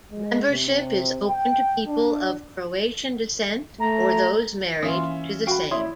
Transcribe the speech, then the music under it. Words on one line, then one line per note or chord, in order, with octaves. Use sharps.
Membership is open to people of Croatian descent or those married to the same.
G#3
C3
G5
D4
A3 A#5
E3 A#3 C#4 F4 E5 C6 D#6
F#4 F5 G5 B5 C#6
C#4 E4 C#5 D5 E5 C6 D#6